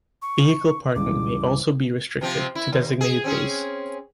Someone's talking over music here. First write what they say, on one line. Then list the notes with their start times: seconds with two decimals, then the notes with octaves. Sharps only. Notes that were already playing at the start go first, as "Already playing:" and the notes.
Vehicle parking may also be restricted to designated bays.
0.22 C#6
0.96 C#2 G2 E3 D6
2.21 C3 F3 C4
2.55 E4
2.72 D#2
3.01 G#4
3.24 C4 C#4 G#4